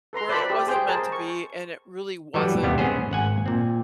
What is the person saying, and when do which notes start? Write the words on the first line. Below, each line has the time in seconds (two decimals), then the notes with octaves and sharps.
where it wasn't meant to be and it really wasn't
0.13 A4 B4 A#5 C6
0.29 B4 C5 D5 E5 A5 B5
0.50 G4
0.67 G#4 C5 G5
0.88 G#4 A#4 C5 A5
1.12 C#6
2.34 E3 F#3 G3 A4 B4
2.62 D#2 C3 G3 B3
2.78 B3 C#4 G#4 C5
3.11 G#1 F#5 G#5
3.46 A#2 C4